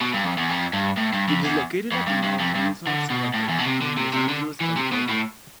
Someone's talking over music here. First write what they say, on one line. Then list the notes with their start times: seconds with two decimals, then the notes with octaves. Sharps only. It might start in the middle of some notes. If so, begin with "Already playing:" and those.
It is located at the Mount Wilson Observatory, near Los Angeles, California.
0.01 B2
0.14 G2
0.25 F2
0.38 E2
0.49 F2
0.73 G2
0.97 A2
1.13 G2
1.28 F2
1.45 E2
1.92 F2
2.07 G2
2.23 G2
2.39 F2
2.55 G2
2.87 D3
3.10 B2
3.34 A2
3.49 E2
3.59 B2
3.66 C3
3.82 D3
3.97 C3
4.13 C3
4.28 D3
4.61 E3
4.76 C3
4.92 B2
5.09 A2